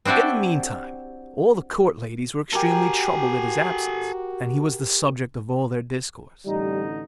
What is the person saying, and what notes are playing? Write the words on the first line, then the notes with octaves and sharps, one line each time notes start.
In the meantime all the court ladies were extremely troubled at his absence, and he was the subject of all their discourse.
C4 D4 E4 F#4 G4
F#4 G4 A4 A#4 G#5
A1 D3 G3 D#4